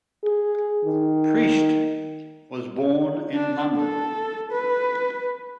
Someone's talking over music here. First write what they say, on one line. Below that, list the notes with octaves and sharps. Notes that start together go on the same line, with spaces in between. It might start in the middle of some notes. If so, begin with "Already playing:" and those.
Priest was born in London.
G#4
D#3
D4
A4
B4